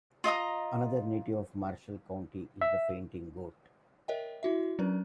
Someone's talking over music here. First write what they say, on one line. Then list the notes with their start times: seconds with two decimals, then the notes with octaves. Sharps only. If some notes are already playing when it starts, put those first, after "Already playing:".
Another native of Marshall County is the fainting goat.
0.24 F4 D#5 A#5 D#6
2.61 E5
4.08 A#4 C#5 D#5 E5 G5
4.43 E4 F#4 E5
4.79 F#3 C#4 D4 A#4 B4